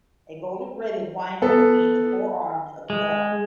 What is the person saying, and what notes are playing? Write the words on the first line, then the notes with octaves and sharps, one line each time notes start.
A golden ribbon winds between the four arms of the cross.
B3 A4
G#3